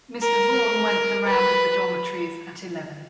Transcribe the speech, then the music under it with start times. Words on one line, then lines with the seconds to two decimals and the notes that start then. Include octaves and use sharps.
Mr. Vaughan went the round of the dormitories at eleven.
0.23 A#4
1.27 B4